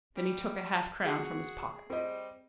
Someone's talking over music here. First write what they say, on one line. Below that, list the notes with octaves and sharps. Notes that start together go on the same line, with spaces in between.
Then he took a half-crown from his pocket.
G3
F#4 G#4
G3 C4 D#5